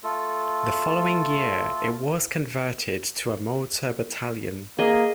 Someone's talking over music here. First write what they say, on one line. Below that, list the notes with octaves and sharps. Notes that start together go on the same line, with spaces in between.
The following year, it was converted to a motor battalion.
A3 F4 A4
A#3 G#4 D#5